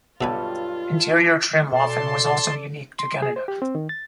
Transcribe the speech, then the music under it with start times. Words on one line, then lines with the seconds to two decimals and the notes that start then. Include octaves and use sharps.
Interior trim often was also unique to Canada.
0.21 B1 G2 B2 G3 F4 A4 B4 G#5
1.73 B2 A4 D5 A5 C6
2.99 C6
3.22 G#4
3.36 C5
3.48 G4
3.62 C4
3.75 D#3
3.89 A6